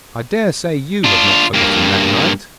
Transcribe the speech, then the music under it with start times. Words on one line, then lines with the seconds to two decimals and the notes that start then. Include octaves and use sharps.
I dare say you have not forgotten that night!
1.04 D4 F4
1.54 G2 A#3